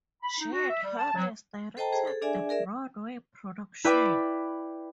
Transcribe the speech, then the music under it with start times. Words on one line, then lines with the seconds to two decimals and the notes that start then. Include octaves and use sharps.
Jed Haris directed the Broadway production.
0.22 B5
0.39 D#4
0.51 F#4
0.69 E5
0.84 G3
0.99 A5
1.15 F#3
1.77 A4 C5 D#5 G5 A5 A#5
1.92 G#4 C5
2.05 G#4 A4
2.22 D4 G#4 D5 E5 G#5
2.49 G#4 A#4 D5 E5
3.84 E4 B4 D5 G5 B5 D6